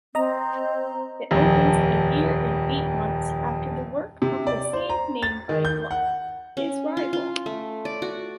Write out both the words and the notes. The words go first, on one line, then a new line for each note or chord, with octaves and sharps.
It opens a year and eight months after the work of the same name by Gluck, his rival.
C4 D#5 A#5
D#1 F2
C3
D5
C5
A#5
A6
D#3
G6
F#5
C#4
F4
F4
A3
D5
F#4